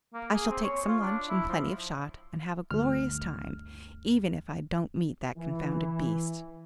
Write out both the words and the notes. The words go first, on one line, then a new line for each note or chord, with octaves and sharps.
I shall take some lunch and plenty of shot, and have a glorious time, even if I don't meet that confounded beast.
A#3
G#4
C4
C#5
F4
D4
E4
F3
G1 D2 F6
E3